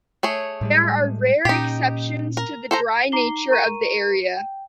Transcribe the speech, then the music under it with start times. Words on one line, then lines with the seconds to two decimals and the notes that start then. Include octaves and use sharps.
There are rare exceptions to the dry nature of the area.
0.23 A3 G#4 C#5
0.61 A2 G3 G#3
1.45 A#2 C#4 D#4 G4
2.37 A#4
2.71 A4 C5 A#5
3.12 D#4 A#5 D6 C7 G7
3.50 A#4 A#5 C#6 D#7
4.37 G5